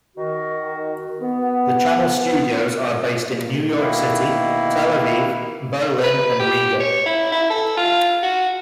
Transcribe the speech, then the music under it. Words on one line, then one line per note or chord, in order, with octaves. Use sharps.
The channel studios are based in New York City, Tel-Aviv, Berlin and Riga.
D#3 F#4
B3
B2 D#3 A#3 E4
B4
G4
C#5
E4
E4
A4
F4
F#4